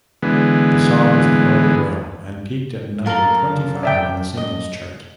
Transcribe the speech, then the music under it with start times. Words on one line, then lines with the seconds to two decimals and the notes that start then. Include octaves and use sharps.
The song was promoted well and peaked at number twenty-five on the singles chart.
0.23 D3 E3 G#3 B3
3.06 F#2 F4 A4 A#4 A#5
3.83 D5 E5 G5
4.37 D#5